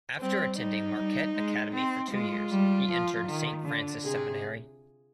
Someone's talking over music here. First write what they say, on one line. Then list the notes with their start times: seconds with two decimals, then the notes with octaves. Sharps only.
After attending Marquette Academy for two years, he entered Saint Francis Seminary.
0.20 G3 C4
0.59 G3 D#4
0.97 G3
1.35 G#3
1.74 C4
2.12 G#3 F4
2.51 G3
2.89 F3
3.27 D#3
3.65 D3
4.04 C3 G#4